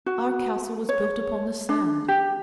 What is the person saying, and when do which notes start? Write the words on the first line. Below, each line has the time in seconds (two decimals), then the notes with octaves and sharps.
Our castle was built upon the sand.
0.06 F#4
0.89 C#5
1.69 D4
2.08 G4